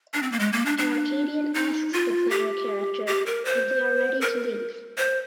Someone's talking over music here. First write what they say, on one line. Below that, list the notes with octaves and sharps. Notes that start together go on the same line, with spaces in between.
An Arcadian asks the player character if they are ready to leave.
D4
C4
A#3
G#3
A#3
D4
D4
D#4
F4
G4
G4
A#4
C5
A#4
C5